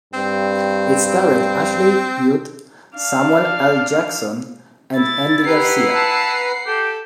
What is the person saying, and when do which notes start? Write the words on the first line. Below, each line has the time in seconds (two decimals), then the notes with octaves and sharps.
It starred Ashley Judd, Samuel L. Jackson and Andy Garcia.
0.13 G2 C4
2.97 D4 F5
4.96 E4 A6
5.46 G4 B4 F#5 A#5 C7
5.95 A5
6.67 G4 A4